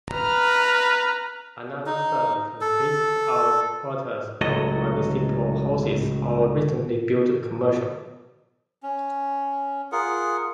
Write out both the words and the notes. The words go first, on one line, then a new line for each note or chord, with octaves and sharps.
Another third consists of quarters of municipal houses or recently built commercial.
B4 A#5 F6
D#4
A4
C#2 A2 F#3 F#4 A4 D#5
C#4
F4 G#4 A#4 F#5